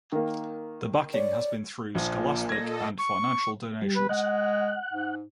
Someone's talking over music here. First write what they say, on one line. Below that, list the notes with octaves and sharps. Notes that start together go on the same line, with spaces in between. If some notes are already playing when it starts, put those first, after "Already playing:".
The backing has been through scholastic and financial donations.
D#3 A#3
C#5 D5
A#1 A#2 F3
A4 D#5 G#6 A#6
C#6
G3
B4
G#3 F#5
G#2